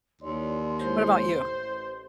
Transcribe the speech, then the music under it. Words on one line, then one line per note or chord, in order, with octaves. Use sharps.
what about you?
D#2 E3 C#5 D5 C6
G#3 E4 C5 C#5
A1